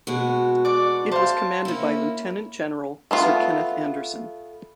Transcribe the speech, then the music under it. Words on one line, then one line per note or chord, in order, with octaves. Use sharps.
It was commanded by Lieutenant-General Sir Kenneth Anderson.
B2 G#3 F#4
D5 C#6 D6
C5 F5 A5
A#3 C#4 E4
A3 B3 F4